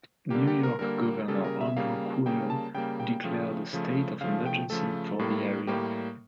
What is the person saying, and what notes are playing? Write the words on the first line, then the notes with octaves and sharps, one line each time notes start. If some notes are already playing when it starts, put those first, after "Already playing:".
New York Governor Andrew Cuomo declared a State of Emergency for the area.
D3 G3 A#3 G4
G4
A#4
D3 G3 A#3 A#4
C#3 G3 A#3 A4
A#4
E5
C#3 G3 A#3 F5
C#3 G3 A#3 G5
A5
C#3 G3 A#3 G5
G5
C#3 F3 A3
C#3 F3 A3
C#3 F3 A3 F5
G5
C#3 F3 A3 A4
A2 G3 A#3
A2 G3 A#3 G4